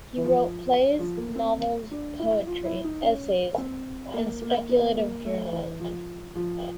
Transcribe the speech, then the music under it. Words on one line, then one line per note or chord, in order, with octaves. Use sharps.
He wrote plays, novels, poetry, essays and speculative journalism.
E3
F3
F3
A#3
C4
D4
E4
F4
E4
D#4
C#4
C4
A#3
A#3
B3
A#3
A3
E3
F3
F3